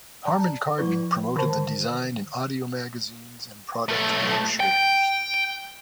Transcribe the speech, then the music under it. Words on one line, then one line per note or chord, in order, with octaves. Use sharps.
Harman Kardon promoted the design in audio magazines and product brochures.
D5 A5 A#5
F3 E4 B4
D3 D#3 A#4 C5 A5
B1 A3
G5